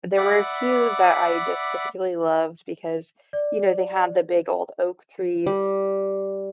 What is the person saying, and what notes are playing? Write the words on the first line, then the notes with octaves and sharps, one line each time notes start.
there were a few that I just particularly loved because, you know, they had the big old oak trees,
D5 E5 F#5 B5 D6
D5
G3